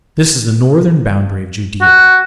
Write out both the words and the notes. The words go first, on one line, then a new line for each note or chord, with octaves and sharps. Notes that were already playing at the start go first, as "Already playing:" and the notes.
This is the northern boundary of Judea.
F#4